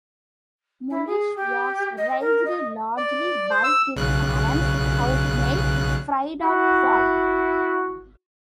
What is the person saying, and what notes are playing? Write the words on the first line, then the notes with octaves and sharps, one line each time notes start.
Mulisch was raised largely by his parents' housemaid, Frieda Falk.
E4
G#4
G4
D#5
A#4
D#5
D5
C5
E6
B1 C#3 F#6
E4 F#4